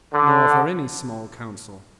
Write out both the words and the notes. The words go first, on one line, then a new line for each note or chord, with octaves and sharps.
Nor for any small Council.
D3